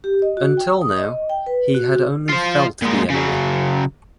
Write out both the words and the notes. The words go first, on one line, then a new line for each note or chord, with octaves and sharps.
Until now, he had only felt the enemy.
G4
D#5
F#4
G5
D#6
D#5
G5
B4
F#4
F4 C5
A#2 G#3
C#3 F#3